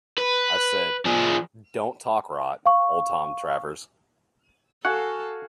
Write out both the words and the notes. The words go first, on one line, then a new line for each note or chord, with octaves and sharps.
I said, 'Don't talk rot, old Tom Travers.'
B4
F3 G#4
F5 C#6
F#4 A4 F5 F#5 G#5